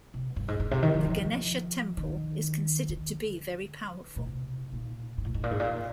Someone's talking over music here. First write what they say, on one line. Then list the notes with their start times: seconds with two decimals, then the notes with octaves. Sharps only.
The Ganesha temple is considered to be very powerful.
0.14 C3
0.36 G2
0.48 G#2
0.60 G#2
0.71 C3
0.82 D#3
0.94 F3
1.06 F3
1.97 D#3
2.89 D3
4.16 A#2
4.26 C3
4.73 A#2
5.18 G#2
5.26 A#2
5.34 G#2
5.43 A#2
5.51 G#2
5.60 A#2
5.76 A#2